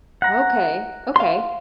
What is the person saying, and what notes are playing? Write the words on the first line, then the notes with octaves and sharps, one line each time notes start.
Okay, okay.
F#5 A#5
F5 C6